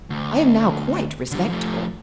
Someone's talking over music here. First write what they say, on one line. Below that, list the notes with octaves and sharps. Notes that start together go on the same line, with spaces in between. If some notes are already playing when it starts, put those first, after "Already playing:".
"I am now quite respectable."
D2
D3 G3
F3 A3